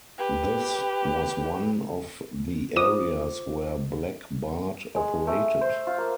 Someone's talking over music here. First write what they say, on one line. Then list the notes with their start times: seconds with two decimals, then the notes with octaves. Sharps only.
This was one of the areas where Black Bart operated.
0.18 G4 B4
2.76 F4 C5 D6 D#6
4.96 G#3
5.27 A3
5.61 C5
5.87 F4
5.98 A#3